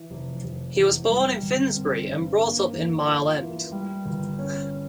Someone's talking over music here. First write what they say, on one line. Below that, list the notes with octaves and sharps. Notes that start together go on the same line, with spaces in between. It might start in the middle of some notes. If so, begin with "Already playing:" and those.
He was born in Finsbury and brought up in Mile End.
Already playing: E3
F1
F1
E2
G3
G1
C4
G2
A#3
E2
F4
E3
G3
G1
C#4